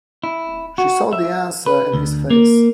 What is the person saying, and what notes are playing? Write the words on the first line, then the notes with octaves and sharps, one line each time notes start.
She saw the answer in his face.
E4
F#4
E5
B4
D2
A#3